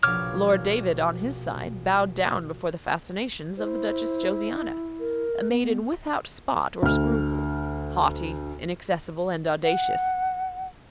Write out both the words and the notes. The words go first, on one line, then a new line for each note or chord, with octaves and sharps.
Lord David, on his side, bowed down before the fascinations of the Duchess Josiana--a maiden without spot or scruple, haughty, inaccessible, and audacious.
A#1 B2 C#5 D6 F6
E4 C5
A#4
B3
D2 F6
F#5